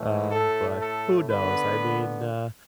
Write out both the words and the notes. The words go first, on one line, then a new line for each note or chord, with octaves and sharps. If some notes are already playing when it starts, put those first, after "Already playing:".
uh, but who knows, I mean, uh,
Already playing: A2 E3 A3
A2 A3 A4
A4
D3 B3 B4